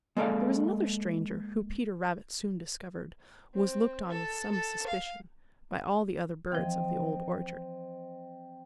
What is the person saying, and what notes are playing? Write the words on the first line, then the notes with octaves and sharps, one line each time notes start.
There was another stranger who, Peter Rabbit soon discovered, was looked on with some suspicion by all the other birds of the Old Orchard.
G#3 A#3 A4 D5 F5
C4
A4
A4
F5
E3 F3 C4 D#5